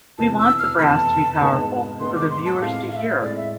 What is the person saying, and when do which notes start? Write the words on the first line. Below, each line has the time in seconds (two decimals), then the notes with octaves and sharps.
We want the brass to be powerful for the viewers to hear.
0.18 F1 E2 C3 E3 A5
0.39 E6
0.59 F6
0.79 F1 E2 C3 E3 A5 B5
1.40 G#1 G#2 G#3 B3 D4
2.00 G#1 G#2 G#3 B3 D4 C6
2.15 D6
2.31 C6
2.45 A5
2.61 A2 G#3 C4 F5
2.91 F5
2.96 E5
3.22 A2 G#3 C4 D5
3.36 E5